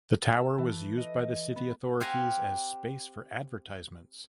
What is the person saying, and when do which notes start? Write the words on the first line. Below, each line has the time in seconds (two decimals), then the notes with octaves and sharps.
The tower was used by the city authorities as space for advertisements.
0.24 A4
0.58 E3
0.98 D#5
1.56 B3
2.00 C4 G4 F5 F#5 G#5 A#5